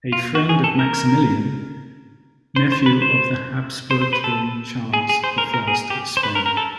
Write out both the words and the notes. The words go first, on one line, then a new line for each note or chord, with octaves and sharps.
A friend of Maximilian, nephew of the Habsburg King Charles the First of Spain.
F4
F#4
G#4
A4
A#4
C5
C5
B4
C5
C5
C5
B4
A4
G#4
G#4
C5
A#4
A#4
G#4
G4
C5
B4
A#4
A#4
A4